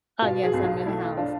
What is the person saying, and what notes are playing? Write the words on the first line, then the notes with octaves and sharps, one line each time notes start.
Uh, yes, I'm in a house.
B2 F4
G#4
B1
F4
A3 E4
F4
D4 F4